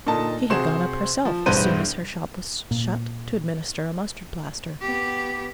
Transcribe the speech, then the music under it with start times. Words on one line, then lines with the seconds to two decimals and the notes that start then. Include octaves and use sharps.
She had gone up herself, as soon as her shop was shut, to administer a mustard-plaster.
0.07 A#2 D3 D#4 A5
0.50 C3 F#4 G#4 C5 C6 E7
1.25 F3
1.46 E1 B1 G2 B4 C5 D#7
2.71 A#2
4.82 B3 G4